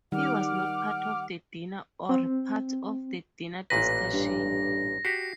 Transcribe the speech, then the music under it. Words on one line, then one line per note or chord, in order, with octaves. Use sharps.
He was not part of the dinner or part of the dinner discussion.
D#3 G3 F#5 D6 F6
C4
A1 A#2 B4 A#6
G2
F#4 G4 C7